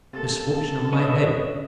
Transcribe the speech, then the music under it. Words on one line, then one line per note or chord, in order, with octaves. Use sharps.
Misfortune on my head!
C3 A#3 A4 A5
D3 C#4 D4 B4 D#5 E5